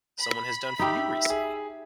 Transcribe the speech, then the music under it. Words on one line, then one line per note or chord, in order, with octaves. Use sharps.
someone has done for you recently?
B5
D#4 G4 E5
G#4